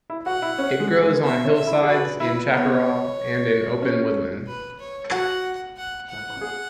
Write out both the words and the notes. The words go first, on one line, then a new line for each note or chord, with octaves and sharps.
It grows on hillsides, in chaparral, and in open woodland.
E4
F#4 F#5
E4
C#4
G#3
G#3
B3 E5
C#4
E5
E4
G#4
F#4 B4
E4 B4
B3 C#5
C#4
B4
C#5
F#4 F#5
F#5
F#5
G#4